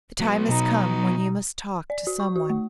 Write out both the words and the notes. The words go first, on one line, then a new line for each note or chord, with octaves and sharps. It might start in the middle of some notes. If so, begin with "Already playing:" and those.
"The time has come when you must talk to some one."
F#3 B3
B2 D#4
D5
F#4
C#6
F#4
A3